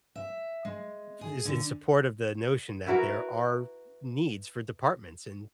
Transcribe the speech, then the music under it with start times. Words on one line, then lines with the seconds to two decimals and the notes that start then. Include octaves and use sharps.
if is in support of the notion that there are needs for departments and
0.15 E5
0.65 G#3
1.21 G#4
1.45 D3
2.87 E4 F#4 A#4 B4